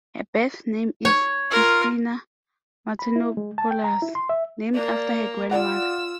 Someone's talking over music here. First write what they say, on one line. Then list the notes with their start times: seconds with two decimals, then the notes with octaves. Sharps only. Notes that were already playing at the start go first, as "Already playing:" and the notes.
Her birth name is Despina Matenopoulos, named after her grandmother.
1.05 C#5
1.51 F4 A#4
2.99 B5
3.16 E4
3.37 G#3
3.58 A5
3.71 G5
3.84 A#5
4.02 E4
4.15 C6
4.29 E5
4.74 A#3 D5
5.51 F4 D5 F#5 E6